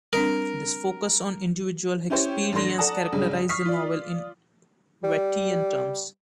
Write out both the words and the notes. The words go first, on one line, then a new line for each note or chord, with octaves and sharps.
This focus on individual experience characterises the novel in Wattian terms.
G3 C4 D4 A#4
C#4 E4 G4 C5 C#5
A1 D4 A4 C6 A#6
A4 D5 F#5 A5 A#5 D#6
B1 G2 C#3
C#6 D#6 F6 B6 C7
F4 D5
G3